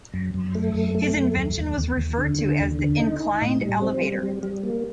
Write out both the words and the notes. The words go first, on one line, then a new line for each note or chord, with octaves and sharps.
His invention was referred to as the inclined elevator.
F#2
F#2
A3
F#2
A3
F#2
D#2
D#2
D#2
D#2
D3
D3
D#2
D3
D#4
D#4
A2
G3
C4
G3
G3
G3
A#3